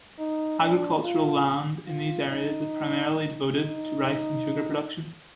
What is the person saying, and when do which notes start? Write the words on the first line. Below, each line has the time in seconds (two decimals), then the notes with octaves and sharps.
Agricultural land in these areas is primarily devoted to rice and sugar production.
0.19 D#4
0.61 D4
1.03 F4
1.87 F4
2.28 D#4
3.54 D#4